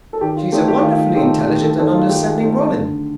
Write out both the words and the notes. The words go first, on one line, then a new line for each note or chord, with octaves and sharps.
She is a wonderfully intelligent and understanding woman.
A4
D#3 G4
F4
A3 C4 D#4 G4
G4
D#3 F4
A3 C4 D#4 G4
D#3 G4
A4
A3 C4 D#4 A4
F4
D#3 G4
A3 C4 D#4
D3